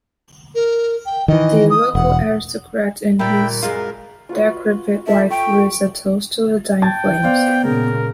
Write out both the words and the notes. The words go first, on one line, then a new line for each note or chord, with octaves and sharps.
The local aristocrat and his decrepit wife raise a toast to the dying flames.
A#4
G5
D#3 E3 D#5
D#6
E1 F#5
A#2 G3 E5 G5 B5
F#2 G#3 F4 A#4
F4 F#4 B4
F4 A4 E5
G5 C#6
G5 A5 G#6 A6
B3 C5 D5 F5
A#2 C#3 G#3 A#4